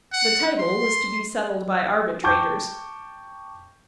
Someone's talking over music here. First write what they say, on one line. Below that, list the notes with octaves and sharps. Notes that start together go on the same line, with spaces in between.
The title was to be settled by arbitrators.
F#5
C6
G5 A5 C#6 D6 G6